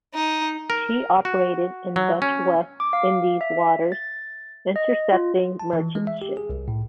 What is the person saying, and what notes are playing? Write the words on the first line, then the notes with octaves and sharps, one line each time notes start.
She operated in Dutch West Indies waters, intercepting merchant ships.
D#4
A#4
F#4
F#3
C#4
D6
F5
E5
A6
D#5
F4
A5
E3
G#3
E5
G4
G#4
C2
A2